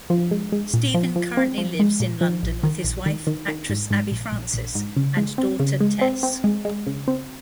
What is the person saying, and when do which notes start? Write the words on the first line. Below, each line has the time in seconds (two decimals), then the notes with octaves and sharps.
Steven currently lives in London with his wife actress Abby Francis and daughter Tess.
0.10 F3
0.31 G#3
0.52 G#3
0.74 A#2
0.94 F3
1.16 F3
1.37 C4
1.58 F3
1.80 G#3
2.00 A#2
2.21 F3
2.43 A#1
2.63 D#3
2.84 A#1
3.06 D#3
3.27 D#3
3.48 D#3
3.69 G#2
3.90 G#2
4.11 A#1
4.32 A#1
4.54 A#1
4.75 G#2
4.97 C#3
5.17 G#3
5.38 C4
5.60 C#3
5.81 G#3
6.01 C4
6.23 C4
6.44 G#3
6.65 G#3
6.87 C#3
7.08 C4